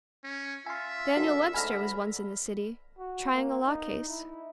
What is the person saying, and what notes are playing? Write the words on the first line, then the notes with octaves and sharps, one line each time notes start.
Daniel Webster was once in the city, trying a law case.
C#4
F4 E5 G#5 C6
F#2 D3 F#4
D2 G#2 D3 G#5 B5 F6 A#6
F#4
A#3
D#4
E4